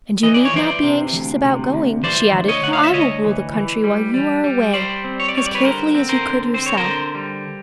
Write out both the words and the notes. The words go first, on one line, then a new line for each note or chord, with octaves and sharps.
'And you need not be anxious about going,' she added, 'for I will rule the country while you are away as carefully as you could yourself.'
E3 D#5
D5
C#5
E3 C5 D5
C3
D2
C3
D2
E3 C5 D5
D2
C#5 D#5
D2 F#5
F5
E5
D2 C#5 D#5
E3
E3
G3
G3
G3
G3 C5 D5
C4
C#5
D5
G3 C#5
D5
B4 C#5
D3 A#4 C5
C4
A#4 C5
D3
C4 C5
C#5
A#4 C5
D3
G3